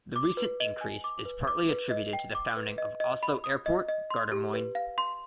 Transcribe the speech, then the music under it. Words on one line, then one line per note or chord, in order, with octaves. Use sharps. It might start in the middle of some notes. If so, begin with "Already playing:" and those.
The recent increase is partly attributed to the founding of Oslo Airport, Gardermoen.
D6
B4
D#5
G#5
D6
B4
D6
B4
D#5
G5
D6
B4
D#5
D#5
B5
D#6
D#5
D#5
C6
G4
B4
F5
C6